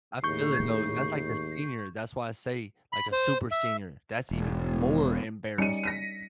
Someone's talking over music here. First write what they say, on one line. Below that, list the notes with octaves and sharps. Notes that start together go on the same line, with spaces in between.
I feel it, though, that's like the senior. That's why I say, like, a super senior, that's even more embarrassing,
D#2 A2 C#3 C#6 G6 C7
B5
C5
E5
E1
G3 C#4 D#4 C#7 D#7
A#6 B6 D#7